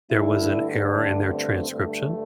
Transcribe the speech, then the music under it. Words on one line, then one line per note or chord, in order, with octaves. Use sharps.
there was an error in their transcription?
G2 D3 A3 E4
D4
C4
G2 D3 A3